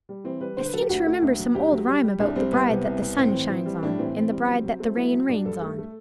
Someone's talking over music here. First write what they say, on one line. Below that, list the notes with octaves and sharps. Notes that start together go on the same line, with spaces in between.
"I seem to remember some old rhyme about the bride that the sun shines on, and the bride that the rain rains on."
G3
E3 C4
G3 B4
D3 C5
B4
F#3 A4
G4
D2 F#4
A3
D2
F#3
D2 G4
F#3
G3
G3
C2 D4
G3 C4
C2 B3
C3
C2
C2
A2 C4
E3
E3
G3
A2 D4
E3 C4
E3 C4
G3
F#3
F#3
A3 C4
F#3 E4
F#3
G2 D4
G2 A4
A3
A3